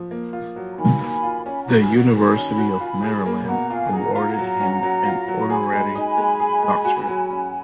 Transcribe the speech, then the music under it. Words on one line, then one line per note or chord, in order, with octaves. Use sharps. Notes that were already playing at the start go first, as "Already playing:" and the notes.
The University of Maryland awarded him an honorary doctorate.
Already playing: F3
A#3
F4
F#3
A#5
D#3 G#5 B5
A#3
F4
C#4 G#5 B5
F#5 A#5
F#4
G#5 B5
A#3
F#5 A#5
D#3 G#5 B5
C#4
F#4
F4
G#4
A#3
B2 F#5 A#5
F4 F5 G#5
G#4 F#5 A#5
F4 F#5 A#5
F#3
C#4
F#3
F4
F#3
G#4 G#5 B5
G#3
D#4
G#3
G#4
G#3
F#4
F#3
C#4